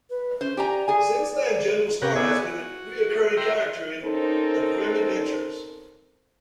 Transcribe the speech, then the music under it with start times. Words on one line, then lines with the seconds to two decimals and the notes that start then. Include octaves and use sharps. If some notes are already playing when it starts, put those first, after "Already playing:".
Since then General Skarr has been a recurring character in the "Grim Adventures".
0.10 B4
0.41 C#4 C5
0.57 G4 D5 G#5 A#5
0.88 G#4 G#5
2.02 C3 C#4 G4 B4 F#5 A#5
2.15 B3 E4 G#4 C#5 D5 G#5
2.41 F#4
3.37 E5 G5 A#5 C6
4.03 C4 C#4 D#4 A4 A#4 C5